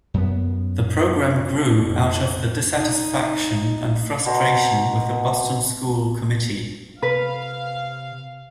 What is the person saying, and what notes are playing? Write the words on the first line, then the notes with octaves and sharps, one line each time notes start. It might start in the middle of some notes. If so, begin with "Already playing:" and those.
The program grew out of the dissatisfaction and frustration with the Boston School Committee.
F#2 B3
F2
D#4
B2 A#5 C6
C3 B4 F5